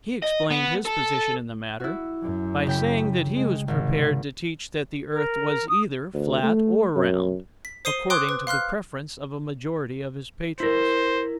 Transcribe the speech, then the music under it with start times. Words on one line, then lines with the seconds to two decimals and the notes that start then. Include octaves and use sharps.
He explained his position in the matter by saying that he was prepared to teach that the earth was either flat or round, according to the preference of a majority of his patrons.
0.23 D#5
0.51 B3
0.85 A4
1.80 E4 F#4
2.23 F#2
2.67 C#3 G5 B6
3.35 G#3
3.68 G#1 C3
5.12 A#4
5.69 D#6
6.14 D2
6.43 A3
6.96 F#2
7.65 B6
7.85 C5 D#6 C7 D#7 G7
8.10 G5 C6 D6 D#6 F#6
8.29 B4
8.47 F5 C6 F6 F#6
10.60 E4 A#4 C5